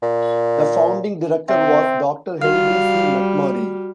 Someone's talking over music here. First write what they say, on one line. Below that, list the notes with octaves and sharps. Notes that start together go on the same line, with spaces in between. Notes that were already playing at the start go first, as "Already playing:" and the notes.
The founding Director was Doctor Henry C. McMurray.
A#2
C4 E5
G3 F#4 F5 F6